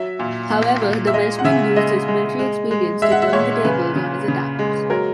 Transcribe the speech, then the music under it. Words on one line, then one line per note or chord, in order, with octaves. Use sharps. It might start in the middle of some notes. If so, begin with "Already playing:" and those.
However the Welshman used his military experience to turn the tables on his attackers.
Already playing: F#3 E5
A#2
A#2
A#2
E5
G#3 D#5
F#5
C#3 E5
G#3 D#5
G#3
G#3
G#3
G#3 E5
F#5
E5
A#2 C#5
C#3 B4
C#3
C#3
G#3
F#3 A#4